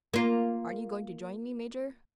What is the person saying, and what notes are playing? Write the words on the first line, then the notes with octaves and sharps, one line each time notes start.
"Aren't you going to join me, Major?"
A#3 F4